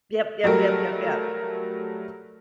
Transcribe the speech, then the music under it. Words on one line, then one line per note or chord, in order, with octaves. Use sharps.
Yep, yep, yep, yep, yep.
F#3 G3 A3 A#4